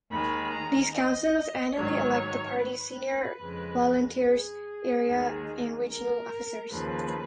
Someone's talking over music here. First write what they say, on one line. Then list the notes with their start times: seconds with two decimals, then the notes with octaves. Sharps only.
These Councils annually elect the Party's senior volunteers; Area and Regional Officers.
0.11 D#2 D#3 G#3 B5
0.53 A#5
0.94 D#5
1.77 G#2 D#3 F#3 C#5
2.59 B4
3.41 F2 C#3 G#3
4.24 G#4
5.07 D#2 D#3 G#3
5.89 A#4
6.72 D#2 C#3 F3 B4